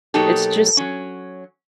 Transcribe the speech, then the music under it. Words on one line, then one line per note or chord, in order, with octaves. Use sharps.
It's just
B2 F#3 A#3 D#4 G4 A4
F#3 C#4